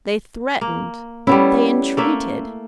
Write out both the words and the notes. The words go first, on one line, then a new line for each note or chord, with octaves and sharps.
They threatened, they entreated.
A#3
G3 A3 B3 C#4 E4
A3 A#3 E5